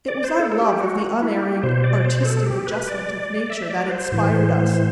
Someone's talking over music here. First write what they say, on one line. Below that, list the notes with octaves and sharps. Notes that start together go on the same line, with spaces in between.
It was our love of the Unerring Artistic Adjustment of Nature that inspired us.
D5
C5
A4
A4
G4
F#4
E4
G4
B2 C5
D5
C5
A4
G4
B4
D5
E5
D5
B4
C5
A2 E3